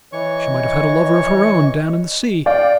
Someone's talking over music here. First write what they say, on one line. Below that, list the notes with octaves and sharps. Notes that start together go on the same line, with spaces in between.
She might have had a lover of her own down in the sea.
E3 C#5 D#5 C#6
D5 F5 G5